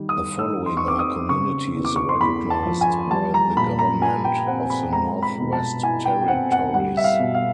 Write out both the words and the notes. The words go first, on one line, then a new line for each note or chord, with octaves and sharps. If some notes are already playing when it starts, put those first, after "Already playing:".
The following are communities recognised by the Government of the Northwest Territories.
Already playing: D#3 G3
D#6
D#4 E6
C6
C#6
C4 D6
D#6
C#3 C#6
E2
D6
C#6
C6
E2 B5
A5
F3
G#5
G3 A5
A#5
A#2 B5
A#5
F4 G#5
G5
C4 F#5
B5
G#3 A#5
B5
B2
A5
E4 G#5
G5
G5
C4 F#5
F#5
G3 F#5
E5
F5
B2
F5